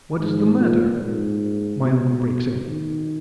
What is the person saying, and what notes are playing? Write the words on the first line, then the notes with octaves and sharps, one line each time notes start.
"What is the matter?" my uncle breaks in.
G#2
A#2
G#2
B2
D#3